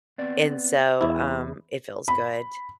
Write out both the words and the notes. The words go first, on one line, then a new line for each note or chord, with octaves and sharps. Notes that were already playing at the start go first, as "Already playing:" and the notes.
And so, um, it feels good.
B3 C4 D5
E2 E4
B5